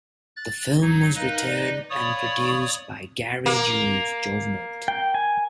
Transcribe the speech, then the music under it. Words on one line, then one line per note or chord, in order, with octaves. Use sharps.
The film was written and produced by Gary Jules Jouvenat.
F#6 A6
F#3 D#4 G#6
D#4 A#4 B4 D#5 F5
D5
C#5 D5 F5 B5 C#6 D#6
A#3
G5
G#5